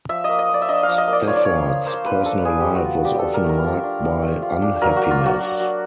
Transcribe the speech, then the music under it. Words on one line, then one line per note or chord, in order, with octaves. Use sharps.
Stafford's personal life was often marked by unhappiness.
F3 E5
A#3 D#5
D#5
F3
D5
E5
D4 D#5
F3 F5
D#5
A#3 D5
F3 C#5
D5
D4 C#5
F3
A#3 C5
F3 B4
D4 A4
F3 G#4
A3 G4
F#4
F4
D4 G4
A4
F3
A#4
A3
A#4
F4
D4
F3
A3
F4
D4
F#3 A#4
A#3 F#4
F4
F#3 F#4
D4
F#3